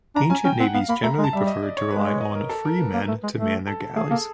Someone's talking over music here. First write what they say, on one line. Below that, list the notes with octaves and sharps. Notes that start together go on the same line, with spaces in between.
Ancient navies generally preferred to rely on free men to man their galleys.
D4 A#5
C#4 G#5
C#4 G5
C4 F#5
B3 F5
A#3 B5
A3 A#5
G#3
A5
G3 E5
D#5
D5
C#5
G#3 B4
C#5
D#5
A#4
A4
A#4
B4
A#3
A3
G#3
A3
A4
A3 G#4
A#3 A4